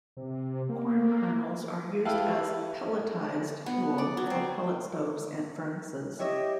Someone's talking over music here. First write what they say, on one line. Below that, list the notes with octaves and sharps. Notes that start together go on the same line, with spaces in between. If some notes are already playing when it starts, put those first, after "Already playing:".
Corn kernels are used as pelletized fuel for pellet stoves and furnaces.
C3
A#3
E4 G4 A4 B4 F5
B3
D5
F#3
C4
E4 G4 C#5 D#5 E5